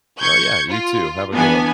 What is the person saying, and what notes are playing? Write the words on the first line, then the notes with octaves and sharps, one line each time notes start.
No. Yeah. You too. Have a good one.
C#6 G6 G#6 C#7
F4
E3 B3 D4 G#5